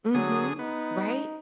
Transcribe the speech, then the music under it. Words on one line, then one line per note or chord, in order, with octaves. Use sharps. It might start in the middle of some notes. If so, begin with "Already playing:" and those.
Mhm. Right?
D3 F#3 G#4 D#6
B3 D#4